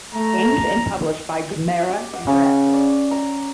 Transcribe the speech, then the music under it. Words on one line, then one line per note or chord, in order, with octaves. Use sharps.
Games and published by Gamera Interactive.
A3 A#5
G4
F#5
C#3
D5
A#5